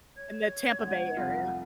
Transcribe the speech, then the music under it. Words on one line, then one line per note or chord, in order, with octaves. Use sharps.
and the Tampa Bay area.
C#5 G#6
G1 C3 G#3 F#5
F1 C2 F4